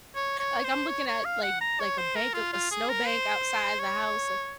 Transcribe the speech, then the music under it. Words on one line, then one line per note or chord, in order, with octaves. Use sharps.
like, I'm looking at, like like a bank of a snow bank outside the house, like
C#5
C#5
C5
C#5
C#5
F5
F#5
A#5
C#5
C5
A#4
F4
F4
G#4
A#4
C5
C#5